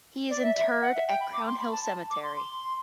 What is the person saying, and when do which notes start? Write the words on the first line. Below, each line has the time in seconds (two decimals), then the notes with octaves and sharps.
He is interred at Crown Hill Cemetery.
0.30 D5
0.42 E5
0.55 E5
0.81 F#5
0.95 E5
1.07 G5
1.20 B5
1.33 D6
1.46 C6
1.59 B5
1.72 A5
1.84 A5
2.10 D6
2.23 C6
2.37 C6